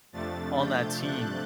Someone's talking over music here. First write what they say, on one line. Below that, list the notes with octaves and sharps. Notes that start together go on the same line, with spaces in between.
on that team
F2 C3 F3 A3 D4 A6
G6
F#6